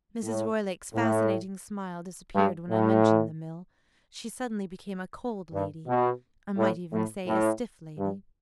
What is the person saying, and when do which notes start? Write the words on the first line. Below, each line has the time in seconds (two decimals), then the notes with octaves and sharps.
Mrs. Roylake's fascinating smile disappeared when I mentioned the mill. She suddenly became a cold lady--I might even say a stiff lady.
0.23 A2
0.93 A2
2.34 G2
2.69 A2
5.52 G2
5.87 B2
6.57 A2
6.92 A2
7.27 A2
7.98 G2